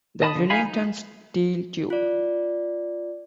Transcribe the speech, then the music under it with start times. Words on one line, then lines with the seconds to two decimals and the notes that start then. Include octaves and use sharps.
The Wellington Steel Tube.
0.22 D#5 A5 B5 D#6
0.36 D3 F3
0.50 D#4 F5 G#5 B5
0.65 D#4
1.90 F4 D5